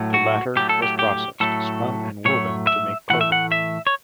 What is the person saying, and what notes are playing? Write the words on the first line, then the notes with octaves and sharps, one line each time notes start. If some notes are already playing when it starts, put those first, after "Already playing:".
The latter was processed, spun and woven to make clothing.
Already playing: A2 F#3 A3
F#4
A2 F#3 A3 G4
A4
G4
G4
A2 F#3 A3 A4
A2 F#3 A3 C#5
E5
A2 E3 A3 F#5
E5
F#5
E5
C#5